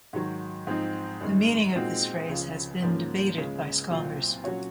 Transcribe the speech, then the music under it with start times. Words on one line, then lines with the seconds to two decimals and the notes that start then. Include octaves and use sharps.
The meaning of this phrase has been debated by scholars.
0.13 G#2 D#3 F#3
0.67 G#2 F3 C4 D#4
1.21 F#2 D#3 G#3
1.75 A#2 G#3 C4 D#4 F#4
2.29 C#2 C#3 F3
2.82 G#2 F3 A#3 C#4
3.37 C#2 C#3 G#3
3.90 C2 A#2 F#3 C4 F4
4.44 A#2 F#3 C#4 F#4 C#5